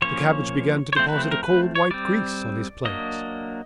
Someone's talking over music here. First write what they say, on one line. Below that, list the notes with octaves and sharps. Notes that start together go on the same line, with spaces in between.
The cabbage began to deposit a cold white grease on his plate.
F3 A#3 C#4 C#5
C#5
F3 A3 C4 C5
B4
A#4
B4
C#5
G3 C4 D5
F#3 A#3 D4 D#5